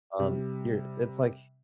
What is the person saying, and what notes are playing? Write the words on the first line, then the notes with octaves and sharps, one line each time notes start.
Um, your it's, like,
C3 G3